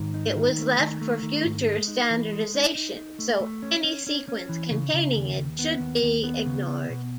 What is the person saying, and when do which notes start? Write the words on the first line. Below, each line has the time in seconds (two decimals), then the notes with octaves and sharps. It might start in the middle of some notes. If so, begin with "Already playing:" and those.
It was left for future standardization, so any sequence containing it should be ignored.
Already playing: G#2 D#3
0.14 D#4
0.36 D#3
0.58 A3
0.79 D#3
1.01 A3
1.22 D#3
1.45 G#2
1.67 G#3
1.88 D#4
2.10 E3
2.32 G#3
2.54 D#4
2.75 D#4
2.97 D#4
3.19 A3
3.40 A3
3.62 C#4
3.84 C#4
4.07 C#4
4.28 C#4
4.49 E3
4.71 C#3
4.93 C#3
5.15 D#2
5.36 D#2
5.59 B3
5.80 D#2
6.02 D#2
6.23 B3
6.46 C#3
6.67 B3
6.89 B2